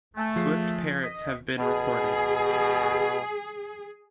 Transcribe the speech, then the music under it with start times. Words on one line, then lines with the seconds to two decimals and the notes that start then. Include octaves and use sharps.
Swift parrots have been recorded.
0.17 A3 G#5 A5
0.36 F3 G#4 C7
1.04 D#5 B6
1.59 B2 G#4